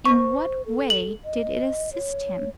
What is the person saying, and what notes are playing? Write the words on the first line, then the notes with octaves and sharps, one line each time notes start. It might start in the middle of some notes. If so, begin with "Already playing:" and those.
In what way did it assist him?
C5 C#6
A4
F#7
D#5
C#5